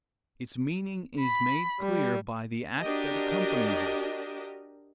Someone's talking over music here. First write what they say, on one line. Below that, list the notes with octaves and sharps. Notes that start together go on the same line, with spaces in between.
Its meaning is made clear by the act that accompanies it.
B5
G3
D4 F#4 G4 A#4 D#5